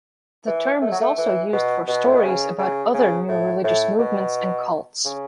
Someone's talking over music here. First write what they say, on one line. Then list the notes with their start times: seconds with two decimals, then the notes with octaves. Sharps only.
The term is also used for stories about other new religious movements and cults.
0.47 E3
0.82 A3
0.92 F#3
1.01 A3
1.18 E3
1.53 B2
1.88 B2
2.05 A2
2.14 B2
2.24 C#3
2.59 C#3
2.94 C#3
3.29 A2
3.64 A2
3.99 B2
5.05 C#3